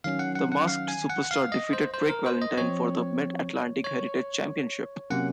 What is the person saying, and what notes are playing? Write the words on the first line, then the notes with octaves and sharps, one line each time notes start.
The Masked Superstar defeated Greg Valentine for the Mid-Atlantic Heritage Championship.
D#3 F#3 C#4 F5
F#5
F#5
F#5
F5
G#5
F#5
F5
D#5
C5
C5
A#4
C5
D#5
F3 C4 C#5
C#5
C3 F#3 A#3 C#4 F#5